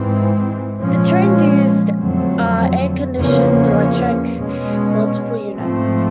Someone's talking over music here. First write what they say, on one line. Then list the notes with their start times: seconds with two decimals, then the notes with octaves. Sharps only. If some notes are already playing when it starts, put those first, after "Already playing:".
The trains used are air-conditioned electric multiple units.
Already playing: G#2 E3 G#3 C4
0.78 A#2 F3 G#3 C#4
1.97 F2 D3 F#3 A3 C4
3.17 E2 C#3 F3 A#3 C#4
4.36 B2 G#3 C#4
5.55 G#2 F3 A3 C4